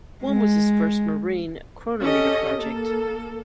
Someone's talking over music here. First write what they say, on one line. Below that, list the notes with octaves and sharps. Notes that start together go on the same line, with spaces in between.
One was his first marine chronometer project.
G#3
C#4 G4 A4 D#5
A#3 A4